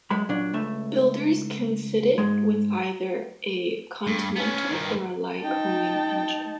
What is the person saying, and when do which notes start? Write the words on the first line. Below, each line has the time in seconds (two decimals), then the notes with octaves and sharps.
Builders can fit it with either a Continental or a Lycoming engine.
0.10 F#2 G#3 B5
0.29 A#2 F#3 D4
0.53 C#2 A3 E5
2.18 G#2 G#3
4.07 G2
4.36 B3 C#4
4.71 G2 D#3
5.40 D#4 G5 A5